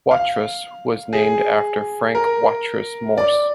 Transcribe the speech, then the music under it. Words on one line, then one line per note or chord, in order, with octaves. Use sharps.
Watrous was named after Frank Watrous Morse.
F5
G#4
A#4
D5